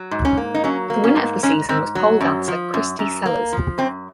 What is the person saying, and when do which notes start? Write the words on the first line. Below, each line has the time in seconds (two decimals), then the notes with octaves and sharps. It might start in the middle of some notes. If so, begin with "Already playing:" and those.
The winner of the season was pole dancer Kristy Sellars.
Already playing: F#3
0.11 G#2
0.25 C#4
0.37 A#3
0.55 D#4
0.64 F#3 C#4
0.90 A#3
1.04 C#4
1.16 G#2
1.43 G#2 C#4
1.69 G#2 C4
1.95 F#3
2.21 F#2
2.48 F3
2.74 F#2
2.99 F#2
3.26 A#3
3.53 F3
3.78 F#2 C4